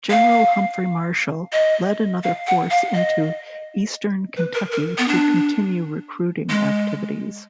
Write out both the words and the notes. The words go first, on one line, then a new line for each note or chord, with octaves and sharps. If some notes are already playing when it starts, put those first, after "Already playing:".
General Humphrey Marshall led another force into Eastern Kentucky to continue recruiting activities.
F5
D#5
F5
F#5
F5
D#5
B4
A#4
A#4
B3
D4
G#3